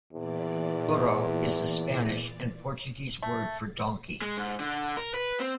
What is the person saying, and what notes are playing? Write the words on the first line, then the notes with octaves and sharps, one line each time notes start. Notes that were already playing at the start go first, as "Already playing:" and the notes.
"Burro" is the Spanish and Portuguese word for donkey.
E2 A#2 E3 D5
A3
G#3
G#2
D3
A#4
B4
C4